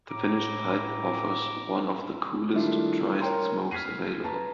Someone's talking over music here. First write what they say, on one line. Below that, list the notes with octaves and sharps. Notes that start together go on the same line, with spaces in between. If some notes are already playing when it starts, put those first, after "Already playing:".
The finished pipe offers one of the coolest, driest smokes available.
A2 A#5 D6
D#3 G3 A3 D4 E4 F4
A#4 C#5 G5 A#5 C6
F6 G#6 B6 C7 D#7
B4 A5 A#5